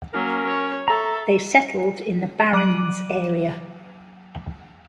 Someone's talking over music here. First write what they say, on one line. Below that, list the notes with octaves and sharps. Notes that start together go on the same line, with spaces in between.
They settled in the Barrens area.
F#3 A#3 C#4 A#4
C#5
A4 E5 A#5 C#6
F#3 D6 F#6 D7 D#7 F#7